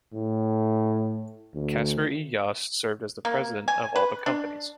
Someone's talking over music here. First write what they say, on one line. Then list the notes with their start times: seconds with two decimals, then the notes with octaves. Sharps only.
Casper E. Yost served as the president of all the companies.
0.14 A2
1.55 D2
3.25 A#3
3.68 G#5
3.96 B4
4.26 D4